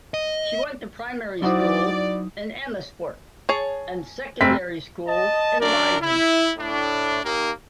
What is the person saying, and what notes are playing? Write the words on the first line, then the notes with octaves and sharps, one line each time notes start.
She went to primary school in Amersfoort and secondary school in Leiden.
D#5
F#3 D#4 E4 F#4 C5 D5 D#6
G#4 C#5 A5
F1 C4 B6
D#5 A5
F#2 D4 A#4 D5
E4
A2 D4
D#2 A#3